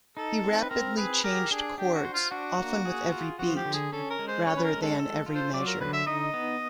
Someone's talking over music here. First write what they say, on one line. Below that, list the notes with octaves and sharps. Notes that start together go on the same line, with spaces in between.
He rapidly changed chords, often with every beat, rather than every measure.
D#4 A4
C4
B4
C4 A#4
G#4 B4
G4 A#4
D4 G#4
D4 G4
F#4
C5
F4
D4 F#4
A#3
G#4
F4
F3 F#4
G4
D3
G#4
C#4 A4
A#4
G#3
C5
C#4 C#5
B4
A#4
G#3
A4
A4
F4
C5
F#3 D5
A#4
D3 B4
E5
D#4 D#5
B3